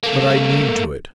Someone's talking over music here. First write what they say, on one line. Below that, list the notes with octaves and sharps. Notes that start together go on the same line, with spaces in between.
But I mean to it.
A3 A#3